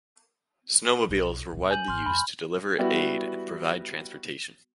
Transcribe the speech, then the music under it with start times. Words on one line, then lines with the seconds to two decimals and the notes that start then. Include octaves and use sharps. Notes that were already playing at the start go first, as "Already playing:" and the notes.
Snowmobiles were widely used to deliver aid and provide transportation.
1.09 B1 E2
1.53 D2 A#2
1.71 G#5 G6 F#7
1.88 G#1 C6 F6
2.06 F2 A2 B5
2.78 G3 B3 E4 F#4